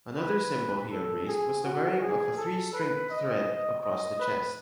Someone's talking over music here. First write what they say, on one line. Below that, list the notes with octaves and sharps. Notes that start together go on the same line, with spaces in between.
Another symbol he embraced was the wearing of a three-stringed thread across the chest.
B4
A4
G#4
F#4
G#4
A4
B4
D#5
D#5
B4